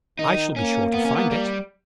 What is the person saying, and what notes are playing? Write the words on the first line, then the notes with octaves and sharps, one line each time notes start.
I shall be sure to find it.'
D#3 D#4
A#3 C#4
B3
C#4
B3
G3